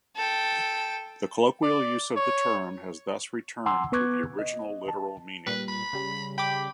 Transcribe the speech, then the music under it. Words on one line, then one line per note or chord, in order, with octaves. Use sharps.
The colloquial use of the term has thus returned to the original literal meaning.
A4 G5
D5
C#5
F#5 G#5 A#5 C6 D6 E6
B3 B4 C#6 D6 F#6 G#6
D#5
A5
A#2 G3 B4
B5
C#3 G3
G5 B5 D6